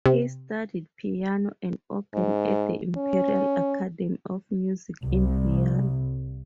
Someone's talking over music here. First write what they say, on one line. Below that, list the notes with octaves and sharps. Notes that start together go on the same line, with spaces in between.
He studied piano and organ at the Imperial Academy of Music in Vienna.
C3
G#2
C#4
C2